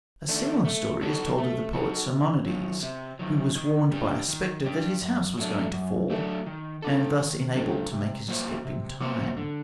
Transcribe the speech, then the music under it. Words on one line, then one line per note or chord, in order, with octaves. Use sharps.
A similar story is told of the poet Simonides, who was warned by a spectre that his house was going to fall, and thus enabled to make his escape in time.
D#3 A3 D4
A3
D#4 F#4 A4
A3
D#4 F#4 A4
C3
D#3 F#3
C3
D#3 F#3
D#3
G3 D4 G4
D#3
G3 D4 G4
F#2
F#3 A3 D4
F#2
F#3 A3 D4
D#3
G3 D4 A4
D#3
G3 D4 A4
C3
G3 A#3 F#4 C5
C3
G3 A#3 F#4 C5
D3